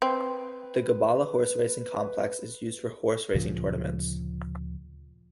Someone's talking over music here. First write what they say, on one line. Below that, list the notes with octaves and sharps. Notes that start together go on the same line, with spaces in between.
The Gabala Horse Racing Complex is used for horse-racing tournaments.
C4 B4
D2 A#2 C#3 F3